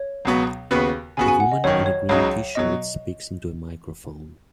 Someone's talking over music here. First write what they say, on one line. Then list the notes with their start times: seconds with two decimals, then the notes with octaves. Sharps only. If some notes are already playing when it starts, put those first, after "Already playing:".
A woman in a green tshirt speaks into a microphone.
Already playing: C#5
0.25 C#2 B2 F#3 B3
0.71 D#2 C#3 B3 F#4 B4
1.17 C#3 B3 F#4 G#5
1.28 G#5
1.40 F#5
1.52 D#5
1.64 G#1 F#2 D#3 C#5
1.86 C#5
2.09 C#2 C#3 F#3 D#4 C#5
2.55 B2 F#3 D#5